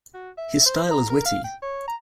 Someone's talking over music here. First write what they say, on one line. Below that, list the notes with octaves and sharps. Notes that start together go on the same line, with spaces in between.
His style is witty.
F#4
E5
C5
A#5
A#4
F5
G5
C#5
A#5